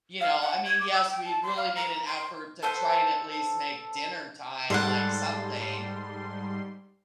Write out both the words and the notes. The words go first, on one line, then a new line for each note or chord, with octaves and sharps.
you know I mean, yes, we really made an effort to try and at least make dinner time, like, something
F5
F#5
G#6
D6
E6
G5
A5
C6
F5
A#5
C6
A4 B4 C5
G#2 G3 A4 F#5 C6